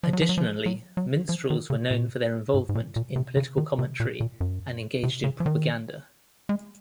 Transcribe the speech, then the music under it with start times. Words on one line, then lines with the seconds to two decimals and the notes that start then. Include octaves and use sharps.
Additionally, minstrels were known for their involvement in political commentary and engaged in propaganda.
0.03 F3
0.13 F#3
0.21 F3
0.29 F#3
0.38 F3
0.66 F#3
0.97 F#3
1.29 F3
1.50 D#3
1.70 C#3
1.91 A#2
2.54 G#2
2.69 G#2
2.75 A#2
2.96 A#2
3.16 C3
3.37 C#3
3.58 D#3
3.79 C3
4.00 A#2
4.20 A#2
4.41 F#2
5.03 C3
5.24 C#3
5.40 F3
5.46 D#3
6.49 G#3